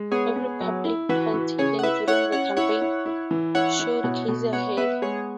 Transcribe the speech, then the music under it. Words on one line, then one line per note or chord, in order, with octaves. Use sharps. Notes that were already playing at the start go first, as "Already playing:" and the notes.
Every public poll taken during the campaign showed Casey ahead.
Already playing: G#3
B3 G#4 C#5
B3
F#3
E4
E3 F#4 B4
E3
C#3 G#4 C#5
F#5
E4 B4 E5
E4 C#5 F#5
C#4 C#5 F#5
E4 C#5 F#5
E4
E4
E3
E4 C#5 F#5
E4
B2
B2
B3 C#5 F#5
B3 B4 E5
G#3 G#4 C#5